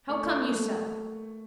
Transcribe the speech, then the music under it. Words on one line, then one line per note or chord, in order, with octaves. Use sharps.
How come you so?
A3 C#6
A3